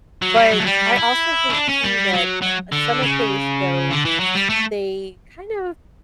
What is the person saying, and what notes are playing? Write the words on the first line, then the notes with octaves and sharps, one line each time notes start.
but I also hate too that, uh, some of things, though, y they kind of
F#3
G3
F#3
A3
G3
E4
C#4
D4
C#4
G3
F#3
F#3
D3
C#3
D3
E3
F#3
G3
A3